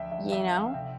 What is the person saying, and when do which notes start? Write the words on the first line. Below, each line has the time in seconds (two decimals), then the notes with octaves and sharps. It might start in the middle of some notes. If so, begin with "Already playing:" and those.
You know?
Already playing: D2 F3 E5 G5
0.12 E5
0.32 B3 E5
0.53 F5
0.74 C3 G5